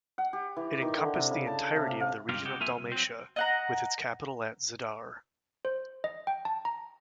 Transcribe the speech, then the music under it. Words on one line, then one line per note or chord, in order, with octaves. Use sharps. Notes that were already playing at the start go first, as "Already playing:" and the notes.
It encompassed the entirety of the region of Dalmatia, with its capital at Zadar.
F#5
G4
E3
D#3
D3
C3
C#3
A5
C3
F5
F5
C#2 G2 F4 G4 A#4 A#5
C#3 G#3 F#4 G4
F2 A#3 F4 E5 G#5
C2
F#3 C4
D#5 F#5 A#5
C5
D#5
G5
A5
A#5